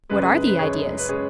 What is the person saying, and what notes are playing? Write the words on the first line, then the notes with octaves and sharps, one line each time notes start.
What are the ideas?'
F#2 C#3 G#3 B4
G#4
B4
B4
F#2 C#3 G#3 G#4 C#5
B4
C#3 G#3 G#4 C#5